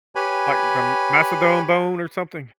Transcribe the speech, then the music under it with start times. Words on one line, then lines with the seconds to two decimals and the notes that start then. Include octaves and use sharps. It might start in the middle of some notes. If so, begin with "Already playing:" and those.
Like, the mastodon bone or something?
0.15 G4 B4 C#5 G#5 B5